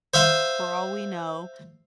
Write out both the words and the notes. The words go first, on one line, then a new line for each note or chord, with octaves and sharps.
for all we know,
C5 E5 F5 C6